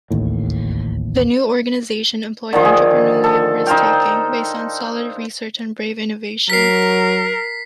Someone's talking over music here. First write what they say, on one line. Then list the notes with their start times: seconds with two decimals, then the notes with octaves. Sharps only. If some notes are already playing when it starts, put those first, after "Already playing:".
The new organization employed entrepreneurial risk taking, based on solid research and brave innovation.
0.10 D1 A1 D#2 A2
2.53 D3 D#3 F3
2.65 G#4
3.24 A4
3.67 D#4 C5 F5 G5
6.50 F#3 A#4 B6 C7